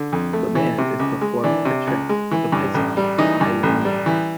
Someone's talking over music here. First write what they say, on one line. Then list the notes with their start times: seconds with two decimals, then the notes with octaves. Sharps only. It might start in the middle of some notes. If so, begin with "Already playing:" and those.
The man is performing a trick with a bicycle high in the air.
Already playing: D3
0.13 F2
0.33 A3
0.55 E3
0.78 C3
0.99 C#2
1.21 G#3
1.44 E3 D4
1.65 C3
1.87 C#2
2.09 G#3
2.31 E3
2.52 G2
2.74 A1
2.97 G3
3.18 E3 D#4
3.41 G2
3.63 A1
3.85 G3
4.06 E3